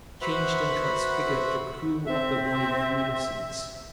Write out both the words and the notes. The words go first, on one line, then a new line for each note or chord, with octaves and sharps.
Changed and transfigured the crew of the wily Ulysses.
F#4 B4 C5 E5 F#5 B5
C4 E5